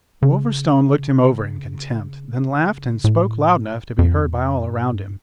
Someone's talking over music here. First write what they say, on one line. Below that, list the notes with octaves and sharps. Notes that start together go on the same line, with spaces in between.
Wolverstone looked him over in contempt, then laughed and spoke loud enough to be heard by all around him.
C#3
A2
F2
E2
F2
G2
A2
G2